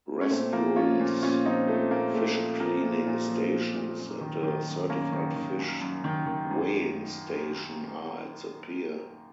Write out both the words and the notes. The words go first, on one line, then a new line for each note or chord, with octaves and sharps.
Restrooms, fish-cleaning stations, and a certified fish weighing station are at the pier.
C#4
A#2 A3 C4
F3 A#3
F3 C#4 F4
A#2
A#2 C#4 F4
F3 C4 D#4
F3 A3
A#2 A#3
A#2 A3
F3
F3 A#3
A#2
A#2
F3
F3
A#2
F#2
D#3
D#3
F#2
F#2 A#3 C#4
D#3
D#3
F#2
F#2
D#3
D#3
F#2